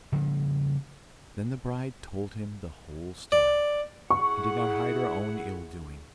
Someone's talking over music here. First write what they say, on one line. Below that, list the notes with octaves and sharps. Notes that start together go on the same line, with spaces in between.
Then the bride told him the whole story. and did not hide her own ill-doing.
C#3 F3 G3 A#3
D5
E4 G#4 F#5 C#6